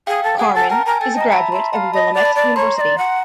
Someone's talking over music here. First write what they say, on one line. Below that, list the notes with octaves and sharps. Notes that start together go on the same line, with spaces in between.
Carman is a graduate of Willamette University.
G#4 F5 G5
A4
G#4 F#5 G#5
A4
A#4 G5 A5
A#4 G#5
A4 G5 A5
D#5 A#5
E5 A5 B5
E5 A#5 C6
F5 F#5 A5 B5
D#5 A5 B5
D5
A5 B5
D5
C#5 A#5 C6
D#5
D5
F#5